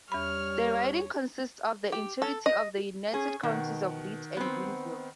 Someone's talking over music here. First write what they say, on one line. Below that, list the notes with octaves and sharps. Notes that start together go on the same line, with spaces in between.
The riding consists of the entirety of the United Counties of Leeds and Grenville.
E2 G3 C#5 B5 F6
G4
A4
D#5
C#4 G#4
B2 D#3 F#5
B3 C4